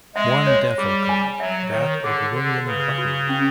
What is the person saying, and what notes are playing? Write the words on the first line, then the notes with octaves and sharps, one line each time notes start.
One death occurred, that of William Button.
G#3 E5
C#5
G3 G#4
G#5
F#3 E5
D#3 C#5
D3 G#4
D3 G#4
C#3 B4
F#4
C#4